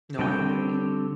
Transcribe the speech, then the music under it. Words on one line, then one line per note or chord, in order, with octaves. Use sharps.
No, I agree.
D3 G3 C4 C#5 G5